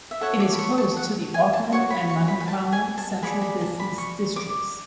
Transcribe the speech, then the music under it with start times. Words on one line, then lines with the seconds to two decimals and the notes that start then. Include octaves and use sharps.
It is close to the Auckland and Manukau central business districts.
0.11 E5
0.21 F#4 A4 C#5 F#5
0.40 D6
0.53 B5
0.59 C#6
0.78 A5
0.97 F#5
1.34 G#5
1.53 A5
1.72 F#4 C#5 C#6
1.90 B5
2.10 C#6
2.28 B5
2.40 B5
2.48 A5
2.72 G#5
2.98 A5
3.22 G#4 D5 B5
3.42 B5
3.61 A5
3.80 B5
3.98 C#6
4.36 D6